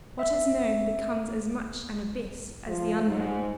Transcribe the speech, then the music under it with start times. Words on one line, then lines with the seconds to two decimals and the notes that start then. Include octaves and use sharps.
What is known becomes as much an abyss as the unknown.
0.19 E5
2.67 F3
3.05 G#2